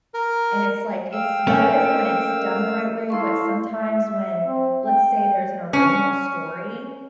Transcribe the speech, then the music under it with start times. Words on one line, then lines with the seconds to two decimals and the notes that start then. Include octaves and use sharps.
And it's, like, it's good when it's done the right way, but sometimes when let's say there's an original story
0.14 A#4
1.12 F5 G5 E6
1.47 A3 A#3 C#4 C#5 E5 G#5
1.89 D#5
3.10 E4 A4 F5 C6 C#6
3.72 E5
4.46 C4
4.85 G5
5.73 C#4